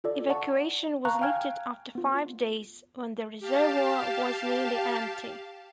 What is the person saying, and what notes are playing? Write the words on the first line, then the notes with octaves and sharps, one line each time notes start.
Evacuation was lifted after five days when the reservoir was nearly empty.
F4 A4 D5
D5 F#5 A5 C#6
F5 A5 A#5 C#6 F#6
F5 G5 G#5 F6 G#6
B3 F4
G4 F5 A5